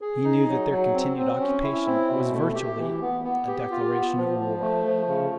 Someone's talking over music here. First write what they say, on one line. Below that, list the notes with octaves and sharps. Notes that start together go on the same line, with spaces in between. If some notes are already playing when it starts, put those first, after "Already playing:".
He knew that their continued occupation was virtually a declaration of war.
G#4
D#4
F#3
F#3
C4
C4
C#4
E4
C4
B2
A3
G4
E3
B3
B3
G4
F4
B3
F3
F3
A3
F3
C#3